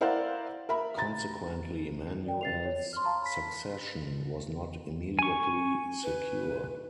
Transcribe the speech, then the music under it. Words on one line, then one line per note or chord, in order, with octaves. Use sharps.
Consequently, Manuel's succession was not immediately secure.
E4 A#4 C5 D5 F5 F#5
A#4 E5 B5
A#5 A6
D5 G5
A6 C7 F7
C#5
C6 F6
F5 A5 A#5 C6
B5 B6
G#5 C#6
B4